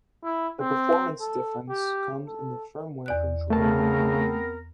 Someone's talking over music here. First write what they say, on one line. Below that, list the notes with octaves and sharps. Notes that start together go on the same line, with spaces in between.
The performance difference comes in the firmware controlling the card.
E4
C4
A4
G4
A4
E2 D5 F#6
C#3 A3 B3 C4 A#4 A5